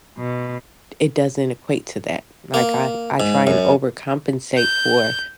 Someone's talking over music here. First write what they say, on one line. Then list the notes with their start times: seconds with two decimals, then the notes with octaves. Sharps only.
it doesn't equate to that, like, "I I try and overcompensate for
0.17 B2
2.54 A#3
3.20 G#2
3.47 F#2
4.57 G6